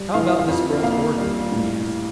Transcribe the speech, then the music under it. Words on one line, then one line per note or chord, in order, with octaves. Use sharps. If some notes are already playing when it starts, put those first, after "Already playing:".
"How about this girl's board money?" he asked.
Already playing: G3
E3 F5
E5
F5
F2
A#3 F5
G3
A2